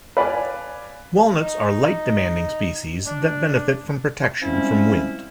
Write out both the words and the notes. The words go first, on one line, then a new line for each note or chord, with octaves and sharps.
Walnuts are light-demanding species that benefit from protection from wind.
B4 D5 F5 G#5
D#4
D4
F3 G3 G#3 C4 C#4 E4